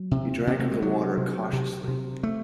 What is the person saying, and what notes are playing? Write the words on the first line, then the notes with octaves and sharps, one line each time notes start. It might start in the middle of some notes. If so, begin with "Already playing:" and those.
He drank of the water cautiously.
Already playing: F#3
C3
C3
A3
G#3
C3 F#3
C3
C3
C3
A3